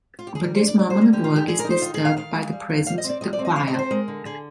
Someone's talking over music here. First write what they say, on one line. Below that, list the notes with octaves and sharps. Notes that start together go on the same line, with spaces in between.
But this moment of work is disturbed by the presence of the choir.
F4
G4
G#4
G3 A#4
C5
D4
D5
D4 D5
C5
G3
A#4
D3 G4
F4
G#3
G4
D3 G#4
A#4
D#4
C5
D#3 F4
G#4
D#3
F5
D#3 F5
G#3
G3
G3
G3 F5
D#5
C4
D5
G3 D#5
D5
C4
D#5
C3 F5
D#5
C4 C5
G#3 A#4
D3
D3 G#4